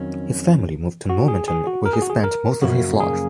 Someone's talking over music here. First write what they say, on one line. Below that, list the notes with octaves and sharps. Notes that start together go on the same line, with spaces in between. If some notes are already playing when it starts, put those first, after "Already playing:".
His family moved to Normanton where he spent most of his life.
Already playing: F2 D#3 F#3 C#4
F#4
G#4
G#4
F#4
A#4
G#4
F#4
G#4
A#4
F#2 C#3 F3 A#3 C#4 F#4
G#4